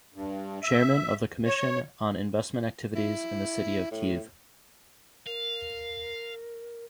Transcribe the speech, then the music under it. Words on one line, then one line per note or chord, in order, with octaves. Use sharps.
Chairman of the Commission on Investment Activities in the City of Kyiv.
G2
E5
C#5
E4
A2
A#4 F5